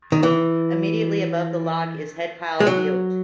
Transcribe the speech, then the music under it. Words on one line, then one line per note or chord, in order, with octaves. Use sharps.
Immediately above the lock is Headpile Eyot.
D#3
E3
G#3
F#3